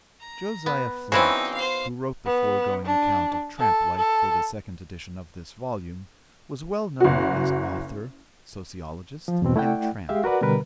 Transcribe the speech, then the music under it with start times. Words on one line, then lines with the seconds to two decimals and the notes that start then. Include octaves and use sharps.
"Josiah Flynt" who wrote the foregoing account of tramp-life for the second edition of this volume, was well known as author, sociologist, and tramp.
0.20 A#5
0.66 B3
1.12 C#3 E3 B3 C4 D#4 E4 F#4
1.54 C5 F5
2.26 B3
2.86 D4
3.58 A4
3.97 A4
7.00 F#1 F#4
9.28 F3
9.42 E2 G2 B2 C4
9.56 A3 E4 D5 F#5 G5
10.09 G#3 G4 G#4 E5 F5
10.24 F#4 A#4 B4 D5 F#5
10.41 B2 D3 G3 A#4 B4